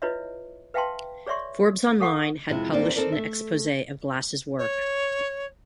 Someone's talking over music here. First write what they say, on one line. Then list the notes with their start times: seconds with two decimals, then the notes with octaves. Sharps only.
"Forbes Online" had published an expose of Glass' work.
0.02 E4 F4 B4 C#5 D#5 E5
0.74 B4 E5 F5 G5 A5 C6
1.27 G#4 C#5 D5 E5 C6 C#6
2.00 G#4 A4 F5 F#5 C#6
2.49 F2 C3 G#3 E4
2.73 G2 A#3 C4 D#4 G#4 D5
2.96 C4 D#4 A4 A#4 D5
3.12 A3 E5
4.58 C#5